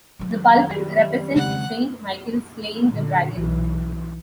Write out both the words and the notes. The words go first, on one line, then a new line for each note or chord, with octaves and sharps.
The pulpit represents Saint Michael slaying the dragon.
D#3 F#3
G3
C#3 G#3 C4 F#5
A#2 D3
B1 E3